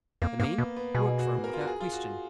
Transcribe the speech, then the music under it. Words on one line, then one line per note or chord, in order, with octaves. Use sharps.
The men worked for him without question.
F2 A#3
G#2 A#3
B2 B3
B3
B2 G#4
F#4
A#4
F4
F#4
G#4
F4
F#4